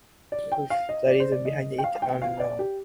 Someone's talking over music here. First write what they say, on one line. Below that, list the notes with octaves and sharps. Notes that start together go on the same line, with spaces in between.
The reasons behind it are unknown.
D5
G5
F5
D#5
D5
C5
D5
D#5
G5
F5
G5
F5
D5
G4